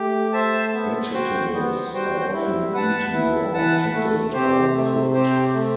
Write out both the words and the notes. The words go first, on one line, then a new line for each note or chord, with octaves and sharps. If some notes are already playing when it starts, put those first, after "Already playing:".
Vegetables are often eaten raw, pickled, or cooked.
Already playing: A3 G4
C5 E5 A5
B3
F#4 C5 G5
G3 B3
G3 F#4 C5 G5
G3 E4
B4 F#5 A5
B3 E4
E3 B4 F#5 A5
A3
C3 C4 G4 C5
A3
C4 G4 C5
A3